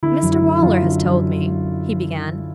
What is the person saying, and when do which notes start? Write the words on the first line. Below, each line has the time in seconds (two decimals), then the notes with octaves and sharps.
'Mr Waller has told me--' he began.
0.03 D3 E4
0.23 F#2
0.32 E4
0.42 D3
0.62 F#2 F4
0.83 D3
1.03 F#2